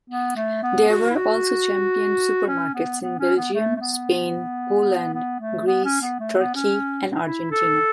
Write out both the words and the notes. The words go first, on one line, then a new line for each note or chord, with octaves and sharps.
There were also Champion supermarkets in Belgium, Spain, Poland, Greece, Turkey and Argentina.
B3
A3
B3
F#4
E4
F#4
C#4
B3
B3
C#4
B3
A3
A3
B3
B3
A3
B3
C#4
B3
A3
B3
C#4
E4
A4